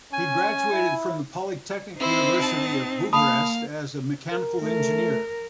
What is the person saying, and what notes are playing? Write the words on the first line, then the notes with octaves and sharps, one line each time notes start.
He graduated from the Polytechnic University of Bucharest as a mechanical engineer.
C#4 G#5
E4
C4 D#4 E4 C5
A5 F#7
A#3 F5 A5 B5 D#6
A#4
A3 A#4